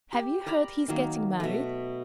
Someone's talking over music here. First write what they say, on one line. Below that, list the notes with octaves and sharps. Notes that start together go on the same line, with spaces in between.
Have you heard he is getting married?
G4
A#4 D5 A#5 B5
D#3 F#3 A#3
B2 A3